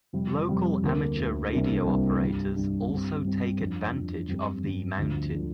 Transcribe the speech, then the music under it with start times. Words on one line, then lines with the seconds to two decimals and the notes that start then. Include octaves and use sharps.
Local amateur radio operators also take advantage of the mountain.
0.13 F2 C3 G3 C4
0.48 F2 C3 G3 C4
0.82 D2 D3 A#3
1.17 D2 D3 A#3
1.52 C2 C3 G3 A#3 D4
1.87 C2 C3 G3 A#3 D4
2.21 G2 G3 D4
2.56 G2 G3 D4
2.90 G2 G3 C4
3.25 G2 G3 C4
3.60 F2 F3 D4
3.94 F2 F3 D4
4.28 G2 G3 C4
4.64 G2 G3 C4
4.98 D2 D3 F3 D4
5.33 D3 F3 D4